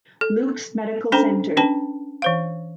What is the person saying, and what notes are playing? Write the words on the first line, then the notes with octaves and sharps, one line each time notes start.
Luke's Medical Center.
A4
C#4 D4 A4 C5 G5 A#5
C#4 D4 B4 G5 A5
E3 C5 F5